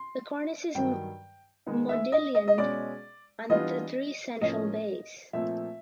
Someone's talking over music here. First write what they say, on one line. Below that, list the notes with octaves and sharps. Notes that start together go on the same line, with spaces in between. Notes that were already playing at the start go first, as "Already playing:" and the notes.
The Cornice is modillioned on the three central bays.
Already playing: C6
G2 D#3 F#3 G5
D#3 G#3 B3 D#4
E5
D#5
D#5
D#5
B2 G#3 C#4 D5
E3 G3 B3 D4 F4 D#5
A2 F3 A#3 C#4 D#5
A#2 F3 A3 C4 E5